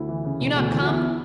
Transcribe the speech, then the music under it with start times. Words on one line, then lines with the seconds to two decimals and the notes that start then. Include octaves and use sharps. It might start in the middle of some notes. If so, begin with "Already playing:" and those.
You not come?
Already playing: D2 E4
0.09 E3
0.25 C#3
0.40 E1
0.56 D2
0.70 E3
0.81 F#4
0.87 E2 E4
1.03 E4